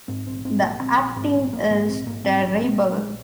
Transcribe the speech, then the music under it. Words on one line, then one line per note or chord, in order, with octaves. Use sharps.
The acting is terrible.
G#2 C4
A#1 C4
G#2 C4
A#1 A#3
A#1 C4
A#1
G#2 C4
A#1
A#1 A#3
G#2 A#3
A#1 C4
G#2 A#3
G#2 C4
A#1 C#4
A#1 C4
A#1 A#3
A#1 G#3